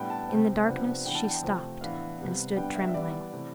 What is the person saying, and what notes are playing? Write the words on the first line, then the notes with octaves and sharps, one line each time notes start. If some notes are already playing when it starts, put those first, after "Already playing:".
In the darkness she stopped and stood trembling.
Already playing: A2 G3 B3 D4 G5
A5
C3 G3 C4 G5
C3 F3 B3 D4
E3 B3 D4 G5
A5
G5
G5
C3 F3 A3 C4
A2 E3 B3 D4 F5
C3 G3 B3
D3 G3 B3 D4 G5
E5
E5
E3 G3 B3 D5
C3 E3 A3